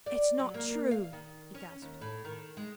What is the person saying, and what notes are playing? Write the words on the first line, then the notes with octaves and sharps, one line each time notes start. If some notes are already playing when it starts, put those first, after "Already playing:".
"It's not true!" he gasped.
D5
F#3
A#3
F5
D#3
C#4
D#2
A2
D#3
G#3